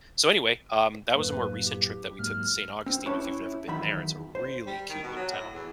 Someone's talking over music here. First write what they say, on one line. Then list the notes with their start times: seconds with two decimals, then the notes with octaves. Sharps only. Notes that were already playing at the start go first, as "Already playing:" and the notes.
so, anyway, um, that was a more recent trip that we took to Saint Augustine, if you've never been there, it's a really cute little town.
1.15 F#2 A2 A#3 B4
1.66 G4
2.19 G#2 F#3 A#3 F6
2.86 C4
3.06 C#4 E4 G4 B4 C#5 A5
3.68 E2 D#3 F#3 E5 B5
4.35 C5
4.67 G3
4.90 D#3
5.03 B2
5.16 F#3
5.31 A2
5.54 E2